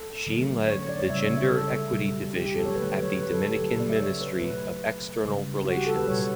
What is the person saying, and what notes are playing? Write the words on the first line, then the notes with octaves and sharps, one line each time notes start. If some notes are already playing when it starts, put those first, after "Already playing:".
She led the Gender Equity Division at the Dominican Ministry of External Relations.
Already playing: A4
D3 F#3 A3
C#5
C#5
D5
C#5
C#3 G3 E5
C#5
E5
A4
B2 G3
G4
G4
A4
C#5
D3 F#3 A3 B4
B4
C#5
B4
A4
G4
C#3 F#3 A3 A4
D5
E5
C#5
B4
B2 F#3 A3 B4
C#3 G3
F#4
G4
A4
B4
B2 G3 C#5